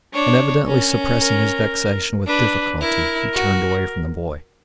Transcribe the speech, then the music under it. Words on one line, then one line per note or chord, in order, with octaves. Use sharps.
And evidently suppressing his vexation with difficulty, he turned away from the boy.
D4 C#5
C#4 A#4
A#4
D4 B4
E4 A#4
F#4